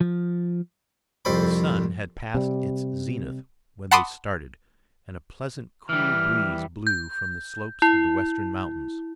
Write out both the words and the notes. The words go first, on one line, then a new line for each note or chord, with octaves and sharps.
The sun had passed its zenith when they started and a pleasant, cool breeze blew from the slopes of the western mountains.
F3
C2 F2 A4 C5 G5 B5
C3 G3
F#5 A5 B5 C6 D6 D#6
E3 G3 F6
G6
E4